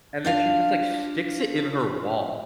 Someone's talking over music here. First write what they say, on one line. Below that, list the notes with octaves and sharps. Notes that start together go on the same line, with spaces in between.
and then she just, like, sticks it in her wall.
D4 F4 F5